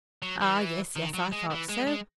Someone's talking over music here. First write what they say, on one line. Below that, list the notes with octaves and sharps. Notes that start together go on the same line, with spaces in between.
Ah, yes, yes; I thought so.
F#3
E3
D#3
F#3
G#3
E3
G#3
G#3